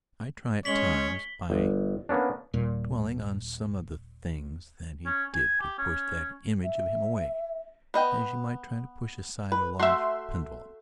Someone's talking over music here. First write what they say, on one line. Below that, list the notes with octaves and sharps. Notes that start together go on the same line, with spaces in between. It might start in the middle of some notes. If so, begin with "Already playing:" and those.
I try at times by dwelling on some of the things that he did to push that image of him away, as you might try to push aside a large pendulum.
G#3 C#4 C#5 B6 F#7 G7
G1
A#3 B3 C#4 D4
D#1 A#2
C#4
G#5
G4
C#4
E5
B3 D#5 G5
B4
A3 F#4 E5 C6